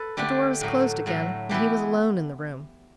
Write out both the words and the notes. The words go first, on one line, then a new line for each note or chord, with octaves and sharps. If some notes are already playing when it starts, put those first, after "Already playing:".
The door was closed again, and he was alone in the room.
Already playing: A4 B4
D3 A3 D4 G4
A2 F#3 A3
A2 F#3 A3
E3 B3 E4 G4